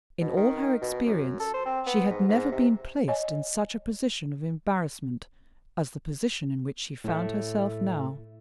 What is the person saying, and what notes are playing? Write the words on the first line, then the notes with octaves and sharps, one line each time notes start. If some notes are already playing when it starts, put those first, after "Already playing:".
In all her experience she had never been placed in such a position of embarrassment as the position in which she found herself now.
B2
D#3
B2
F#2
A4
C5
C4
B3
G#2
G#2
C3
C#5 D#5 G#5
A2 A3